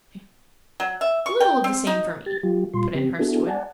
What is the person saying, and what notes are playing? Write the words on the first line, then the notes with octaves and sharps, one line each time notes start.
"A little of the same for me," put in Hurstwood.
F#3
E5
C#6
G5
C4
D#4
G4 A6
F#3 F4 G4
A#2 G3 F4 C6
C#3 C4 G4
B3 D4 E4 F#4 G#4 A4
D5 F#5 G#5 A5